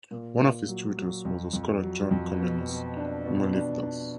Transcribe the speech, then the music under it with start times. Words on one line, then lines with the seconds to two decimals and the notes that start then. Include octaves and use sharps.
One of his tutors was the scholar John Komnenos Molyvdos.
0.11 A#2
0.39 A#2
0.68 F#3
0.97 F#3
1.25 F2
1.53 F2
1.82 F#3
2.11 F2
2.39 B2
2.68 B2
2.97 D4
3.25 B2
3.53 D4
3.83 D4